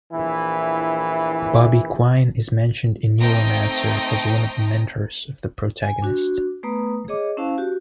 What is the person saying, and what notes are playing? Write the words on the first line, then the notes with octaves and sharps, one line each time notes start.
Bobby Quine is mentioned in "Neuromancer" as one of the mentors of the protagonist.
A#1 E3 E4
A3 C4 D#4 G5 A#5 D#6
G#5
D4 F#4
A3 B3 B4 A#5 D#6
G#4 C#5 D#5 D6
C#4 E4 C5 F5 A5
F#4 G4